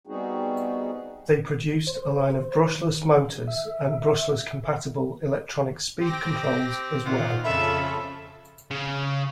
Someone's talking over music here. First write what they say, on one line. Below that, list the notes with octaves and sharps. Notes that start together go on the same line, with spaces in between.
They produced a line of brushless motors and brushless-compatible electronic speed controls as well.
G3 B3 C4 D#4 F#4 G#4
C5
D#3
E5
C4 G4 G5 D6 A#6
A#2 D#3 F4 C5 F#5
F2 C#3 F4 A4 E5 B5
C#3